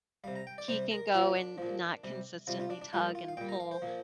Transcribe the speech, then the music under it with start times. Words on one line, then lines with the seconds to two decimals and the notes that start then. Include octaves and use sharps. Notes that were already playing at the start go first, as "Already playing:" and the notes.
h he can go and not consistently tug and pull,
0.24 G3 F5
0.27 C3
0.36 A#5
0.47 G5
0.58 D5
0.68 C3 G3 C5
0.91 A#4
1.14 A#2 F3 F4
1.36 D4
1.58 A#2 F3
2.04 C3 G3
2.47 C3 G3 F4
2.60 F4
2.70 D4
2.81 D4
2.93 A#2 G3 F4
3.15 F4
3.28 F5
3.37 A#2 G3 G5
3.49 A#5
3.60 F5
3.71 C5
3.82 A#2 F3